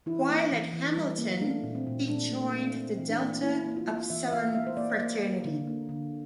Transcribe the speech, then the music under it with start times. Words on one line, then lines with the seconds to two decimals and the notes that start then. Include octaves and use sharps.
While at Hamilton he joined the Delta Upsilon Fraternity.
0.06 E3 E4
0.29 A#3
0.52 E3
0.73 E3
0.96 G3
1.18 A#3
1.41 A3 D4
1.63 A#2
1.75 C4
1.87 A#2
2.08 A#2 D4
2.31 A3
2.42 A#3
2.53 A3
2.76 A#3 C4
2.99 E3
3.09 D4
3.21 A#3
3.42 A#3 E4
3.66 A#3
3.77 F4
3.88 A#3
4.10 E3 E5
4.28 E5
4.32 A#3 F5
4.54 A#3 E5
4.67 C5
4.77 A#3 D5
4.99 A#3
5.23 A#3
5.45 D3
5.67 A#3
5.89 D3